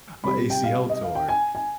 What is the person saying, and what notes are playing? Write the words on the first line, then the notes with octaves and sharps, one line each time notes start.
my ACL tore,"
C3 G3 B5
G5
F5
D#5
F5
G5
G#5
G#5